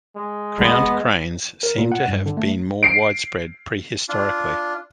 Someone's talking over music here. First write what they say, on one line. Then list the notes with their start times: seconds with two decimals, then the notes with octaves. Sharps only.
Crowned cranes seem to have been more widespread prehistorically.
0.16 G#3
0.60 G#3 B3
1.63 A#4
1.78 A#2
1.92 F#5
2.07 G2
2.26 D3
2.37 A3
2.83 C7 D7
4.09 D4 F4